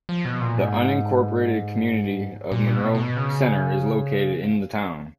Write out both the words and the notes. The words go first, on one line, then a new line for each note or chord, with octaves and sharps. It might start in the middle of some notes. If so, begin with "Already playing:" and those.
The unincorporated community of Monroe Center is located in the town.
F3
B2
A#2
G#2
A#2
B2
B2
C#3